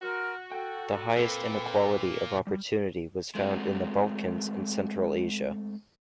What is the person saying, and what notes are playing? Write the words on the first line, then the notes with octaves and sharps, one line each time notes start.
The highest inequality of opportunity was found in the Balkans and Central Asia.
F#4 A#4 C6 F6
A4 G5
A#2 A#3 C4 A4 B4
G3
G#3 A3 C4 F#4